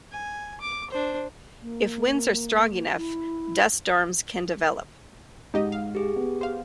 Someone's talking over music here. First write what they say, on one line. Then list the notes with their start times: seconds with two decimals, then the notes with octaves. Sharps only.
If winds are strong enough, dust storms can develop.
0.12 G#5
0.61 D6
0.90 D4 C5
1.62 A#3
2.97 E4
5.54 G#2 D#4 G4 D#5
5.72 F5
5.95 G4 G#4
6.16 B3
6.41 C5 F5